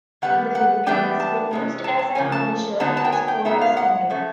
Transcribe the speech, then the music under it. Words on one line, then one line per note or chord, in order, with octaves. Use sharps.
In the Philippines, when used as an undershirt it is called a sando.
D#3 G3 B3 F#5
F#5
E3 G3 B3 D4 G5
A5
C3 E3 G#3 C#4
A5
A5
C#3 F3 A#3 C#4 G#5
A5
D3 F#3 B3 D#4 A5
A5
G5
G#5
G5
A#2 F#3 B3 D#4 E5
F5
F#5
F3 A3 C#4